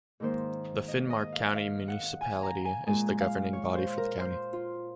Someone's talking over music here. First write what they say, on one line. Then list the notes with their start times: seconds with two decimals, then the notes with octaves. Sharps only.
The Finnmark County Municipality is the governing body for the county.
0.20 G#2 D#3 A#3 C5
0.88 D#5
1.10 D#5
1.32 F5
1.55 F5
1.88 F#5
2.21 G#5
2.43 A#5
2.65 G#5
2.87 A#2 G#3 G#5
3.20 F5
3.53 C#5
3.75 C5
3.97 A#4
4.19 C5
4.53 F4